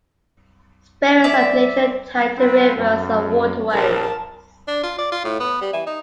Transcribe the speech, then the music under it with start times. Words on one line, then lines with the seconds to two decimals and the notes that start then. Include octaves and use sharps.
Spirits of nature tied to rivers and waterways.
1.24 D5 E5
2.37 C4 F4 B4
2.75 F#2
3.72 A#1 A#4 A5
4.68 D4
4.83 F4
4.98 D5
5.12 F4
5.24 A2
5.40 B3
5.61 G3
5.73 E3
5.86 D#4